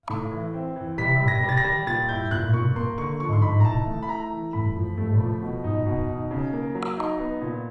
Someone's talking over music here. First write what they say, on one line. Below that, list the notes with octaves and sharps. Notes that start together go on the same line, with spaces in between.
Bonaventure was raided by Americans during the War of Independence.
A2
E3
C4
E3
G3 B6
G3
A#6
G3
A6
A#6
G3
A#2 A6
E4 G6
A#2 F#6
A#2 C#6
A#3 C6
D3 C#6
F3 C#6
C6
D#4 B5
A#5
E4 A5
A3
B5
E4 A#5
E3
A3 B5
F3
A3
F3
B2
D#4
B2
D#4
C#3
A#3
F#3
D#4
B3
A#2